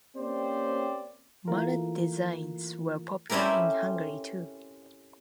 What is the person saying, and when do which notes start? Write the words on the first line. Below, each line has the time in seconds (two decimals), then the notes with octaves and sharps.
Mallet designs were popular in Hungary, too.
0.17 A#3 C4 C#4 G4 C5 D5
1.48 E3 A3 A#3 F4 A#4
3.30 A3 C4 C#4 E4 G4 A#4